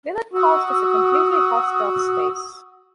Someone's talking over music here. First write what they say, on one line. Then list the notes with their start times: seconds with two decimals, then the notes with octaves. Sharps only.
Willard calls this a completely Hausdorff space.
0.34 F#4 D#6 E6